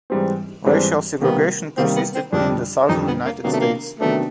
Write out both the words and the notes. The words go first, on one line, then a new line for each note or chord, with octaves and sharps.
Racial segregation persisted in the Southern United States.
G#2 E3 G3 C4
G#2 E3 G3 C4 D4
C3 D#3 G3 A#3 B3
C3 D#3 G3 A#3 C4
B3
C4
F2 D3 G3 D4
F2 D3 G3 D#4
B3
A#3
C3 D#3 F#3 A#3 B3 D4
A3
A#3
C3 D#3 F#3 A3 B3 D4